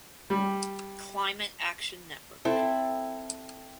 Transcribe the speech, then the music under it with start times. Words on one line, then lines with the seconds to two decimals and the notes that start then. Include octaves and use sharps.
Climate Action Network.
0.30 G3
2.45 C4 E4 A4